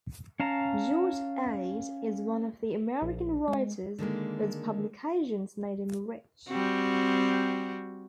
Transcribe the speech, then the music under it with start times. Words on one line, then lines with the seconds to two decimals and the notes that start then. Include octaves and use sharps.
George Ade is one of the American writers whose publications made him rich.
0.40 C#4 F5 A5 A#5
3.02 A#1
3.48 G#3
3.99 D3 D#3 G#3 A#3
6.49 G3 C4 F#4